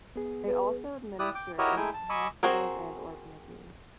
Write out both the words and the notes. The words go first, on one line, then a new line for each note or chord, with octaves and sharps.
They also administered in hospitals and orphanages.
B3 G#4
B4
E4 G4 D5 D#6 F#6
G5 D6
E4 F#4 G4 A#4 C#5 D#5
G#3 A3 D#4 E4 G5 G#5
A5
D#5 G#5 B5 C#6 D6 E6
C4 F#4 G#4 A#4